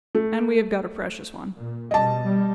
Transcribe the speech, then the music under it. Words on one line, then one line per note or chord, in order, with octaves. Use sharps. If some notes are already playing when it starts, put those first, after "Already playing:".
And we have got a precious one.'
A3
A#2
B2 G3 D#5 A5
G3